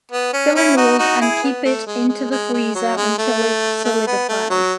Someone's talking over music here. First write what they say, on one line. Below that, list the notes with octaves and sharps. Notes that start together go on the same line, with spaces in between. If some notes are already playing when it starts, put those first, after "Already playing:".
Fill a mold and keep it into the freezer until it solidifies.
B3
C#4
C#4 E4
D#4 F#4
D#4 F#4
E4 G#4
B3
A3
G#3
G#3
G#3
G#3
F#3
G#3
A3
A3
B3
A3
F#3